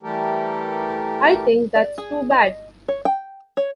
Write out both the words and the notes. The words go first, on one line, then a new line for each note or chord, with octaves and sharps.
I think that's too bad.
E3 G3 A3 G4 A4 A#4
D5
G#4
D#5
C#5
G5
C#5